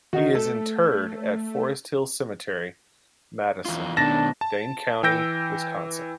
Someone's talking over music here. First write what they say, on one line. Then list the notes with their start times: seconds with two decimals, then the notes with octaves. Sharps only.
He is interred at Forest Hill Cemetery, Madison, Dane County, Wisconsin.
0.13 D#3 D#4 F#4
0.35 A3 A4
3.65 E2 F4
3.97 B2 D#3 D4 A5 A#6
4.41 A5
5.03 E3 G5 E6 G6 A#6 D7